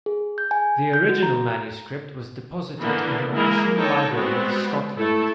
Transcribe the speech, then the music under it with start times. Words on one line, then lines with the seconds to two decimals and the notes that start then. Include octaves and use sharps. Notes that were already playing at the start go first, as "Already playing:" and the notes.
The original manuscript was deposited in the National Library of Scotland.
0.06 G#4
0.38 G6
0.51 G#5
0.93 G6
1.09 F#4
1.23 A#5
2.80 D3 E3 A#3 B3
3.33 G#3 A#3 E4 G#4 A#4
3.76 D#4 A4 C#5 G5
4.13 G3 G#3 B3 C4 F#4
4.96 A3 E4 A4